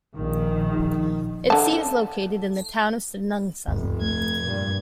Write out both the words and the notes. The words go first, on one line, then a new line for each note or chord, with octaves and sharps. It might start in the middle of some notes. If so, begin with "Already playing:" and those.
Its seat is located in the town of Stenungsund.
A#1 D#3
D3 A5
F1 D2 G2
A3 G#6
G2 A#2